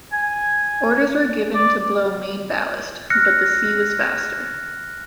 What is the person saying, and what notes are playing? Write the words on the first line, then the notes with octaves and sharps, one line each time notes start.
Orders were given to blow main ballast, but the sea was faster.
G#5
D5
F6 F#6 A#6 C#7